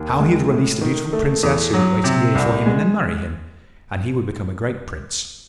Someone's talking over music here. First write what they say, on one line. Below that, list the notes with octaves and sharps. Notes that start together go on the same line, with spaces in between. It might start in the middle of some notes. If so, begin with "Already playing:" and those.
How he had released a beautiful Princess, who would wait a year for him and then marry him, and he would become a great Prince.
Already playing: D#2
G#3
A2
D#3
A3
E2
F#3
C3
C2
G#3